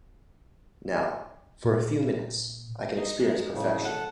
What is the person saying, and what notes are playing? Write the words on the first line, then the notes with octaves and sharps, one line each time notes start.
Now, for a few minutes, I can experience perfection.
A#2
D#4
G#3
A2 C#3
A4 F#5